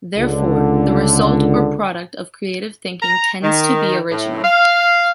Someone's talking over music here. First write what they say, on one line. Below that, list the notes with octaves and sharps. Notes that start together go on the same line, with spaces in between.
Therefore, the result or product of creative thinking tends to be original.
C#2 D3
A#5
D#3
A2
F5